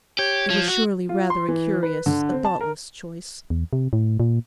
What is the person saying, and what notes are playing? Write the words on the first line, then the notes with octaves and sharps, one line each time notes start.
It was surely rather a curious, a thoughtless choice.
G4 C#5
F3
F#4
F4
C6
E3
B4
D3
C4
A5
A#4
E2
C3
A2
A#2